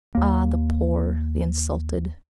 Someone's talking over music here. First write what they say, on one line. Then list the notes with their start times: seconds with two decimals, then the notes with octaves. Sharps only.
Ah, the poor, the insulted!...
0.15 D#2 A#3